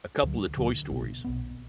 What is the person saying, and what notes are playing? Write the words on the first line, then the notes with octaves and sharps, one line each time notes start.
a couple of Toy Stories
D2 D3 F#3
D2 D3 F#3
B1 B2 B3
B1 B2 B3